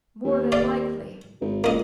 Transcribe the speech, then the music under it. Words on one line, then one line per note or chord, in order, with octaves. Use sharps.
"More than likely."
D#2
D5 F5
G#1
C#2 A#3 D#5